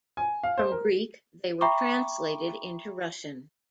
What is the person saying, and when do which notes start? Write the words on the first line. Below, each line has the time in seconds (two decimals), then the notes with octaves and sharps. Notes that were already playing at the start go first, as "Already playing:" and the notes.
From Greek they were translated into Russian.
0.17 G#5
0.43 F5
0.58 C5
0.72 A#4
1.61 E5 G5 A#5 B5 C#6 D6